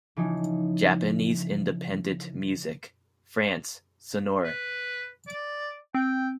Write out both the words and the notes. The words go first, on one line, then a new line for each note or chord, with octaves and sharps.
"Japanese Independent Music", France: Sonore.
C#3 E3 F3 D#4
B4
D5
C4 G5